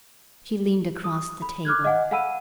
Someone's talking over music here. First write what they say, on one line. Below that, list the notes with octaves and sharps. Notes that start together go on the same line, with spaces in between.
She leaned across the table.
D#6
B5
D6 F6 F#6 G#6
D#5 F5 F#5 G#5
F5 F#5 G#5 B5 E6 D#7